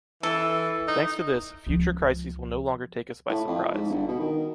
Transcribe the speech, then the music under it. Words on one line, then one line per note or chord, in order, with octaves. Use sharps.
Thanks to this, future crises will no longer take us by surprise.
E3 A4
D#4
C#2 F3
A2
F2
G#2
G1
B2
D#3